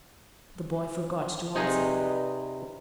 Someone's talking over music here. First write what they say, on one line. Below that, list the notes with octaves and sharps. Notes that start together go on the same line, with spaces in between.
The boy forgot to answer.
C3 D#4 G#4 B4 D5 D#5